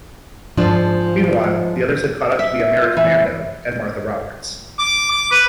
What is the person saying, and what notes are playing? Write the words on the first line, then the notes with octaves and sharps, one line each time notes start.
Meanwhile, the others had caught up to the Americommando and Martha Roberts.
G#2 F3 D4
E5
F4
E3
D6
D6
B4